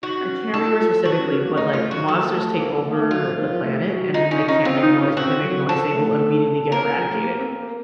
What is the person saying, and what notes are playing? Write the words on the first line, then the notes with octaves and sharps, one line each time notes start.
I f I can't remember specifically, but, like, monsters take over the planet and then they can't make a noise, if they make a noise, they will immediately get eradicated,
D#4 F#4
C4
C#4
D#4 A4
F4
F4
F4
D#4 F#4
C#4
C#4
A#3
A3 D#4
A3 F4
F#3 F#4
F#3 A4
A#3
A3
A#3
A3
A#3
A3
F#3 F4
F3
D#3
F3
A3
F#3
D#4 F4
C#4 D#4
C#4 D#4
C4 F4
D#4
C#4
C4 F#4
F#3
F3 A4
A3
A#3 A#4
A#3
F3
A3
A#3
C4
A#3
A#3